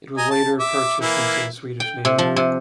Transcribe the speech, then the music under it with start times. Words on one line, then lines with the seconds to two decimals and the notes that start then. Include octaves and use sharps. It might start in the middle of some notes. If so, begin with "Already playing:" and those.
It was later purchased into the Swedish Navy.
0.18 D#5 G#5 A#5
0.31 A5
0.59 E5 D6
1.01 E3 A#3 E4
1.80 G5
2.05 C3
2.18 F3
2.36 C3